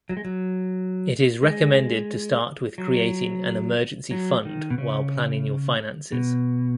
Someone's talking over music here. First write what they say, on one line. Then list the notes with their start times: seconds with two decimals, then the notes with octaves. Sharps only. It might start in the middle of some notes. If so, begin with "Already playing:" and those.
It is recommended to start with creating an emergency fund while planning your finances.
0.09 F#3
0.17 G#3
0.25 F#3
1.43 G#3
2.78 F#3
4.11 F#3
4.45 D#3
4.70 B2
4.78 C#3
6.12 B2